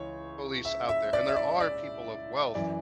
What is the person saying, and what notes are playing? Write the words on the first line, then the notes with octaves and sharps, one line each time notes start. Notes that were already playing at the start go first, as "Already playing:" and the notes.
police out there, and there are people of wealth
Already playing: C#2 E3 C#5
E5
E5
D5
E5
D5
D5
F#2 E3 D5